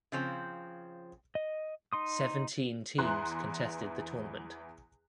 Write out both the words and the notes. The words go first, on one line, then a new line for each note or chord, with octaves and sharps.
Seventeen teams contested the tournament.
C#3 F3 C4
D#5
D#4 C6 D#6
E2 E3 A#5 C6 F#6